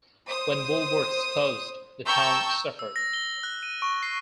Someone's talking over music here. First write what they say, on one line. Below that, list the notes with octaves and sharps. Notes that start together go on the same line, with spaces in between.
When Woolworth's closed, the town suffered.
C5 D#6
G5 A5 A#5 C#6 E6 G6
E6
A#6
G7
F#6
D#7
C#6
C7